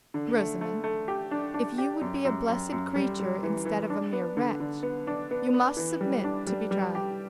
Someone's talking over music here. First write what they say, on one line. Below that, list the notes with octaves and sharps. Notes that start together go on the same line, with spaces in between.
"Rosamond, if you would be a blessed creature instead of a mere wretch, you must submit to be tried."
D3
A3
A3
A3
G4
D4
D4
G4
F#2
F#2
F#2
F#2
G3
G3
E3
E3
D4
B3
D3
D3
B3
D4
B3
B3
E3
G3
D4
G3
G3
G4